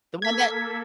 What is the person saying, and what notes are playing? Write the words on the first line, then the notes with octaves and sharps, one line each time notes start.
the one that
A#3 A4 G#6 B6